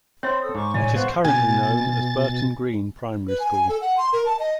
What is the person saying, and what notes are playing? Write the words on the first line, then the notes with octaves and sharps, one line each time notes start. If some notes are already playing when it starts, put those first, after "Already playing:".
It is currently known as Burton Green Primary School.
C4 C#5 E5 B5 C6
A4 D#6 E6
G#2 C#6 D6
A2 C#5 D5 E5 G#5
G#3 B3 C5 F5 F#5 C#6
B2 G#5 A6
B4
G#5
G#5
A4
F#5
C6
A#4
A5
D#5